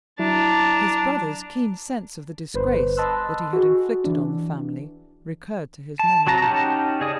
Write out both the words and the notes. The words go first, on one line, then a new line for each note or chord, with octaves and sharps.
His brother's keen sense of the disgrace that he had inflicted on the family recurred to his memory.
F#3 D4 E4 A5 A#5
G1 B4 C5
D#5 A5 B5 C6 E6 F#6
F#4 G#4
E3 D4
A5
F#3 F#4 A5 A#5
C#4 D#4 G4 F#5 A5
C#3 G#4 D5 D#5 D#6